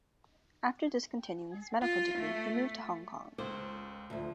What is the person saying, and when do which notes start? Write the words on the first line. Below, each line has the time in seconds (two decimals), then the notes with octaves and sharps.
After discontinuing his medical degree, he moved to Hong Kong.
1.82 F4
2.19 A3
3.38 C#2 C5
4.10 D2 F3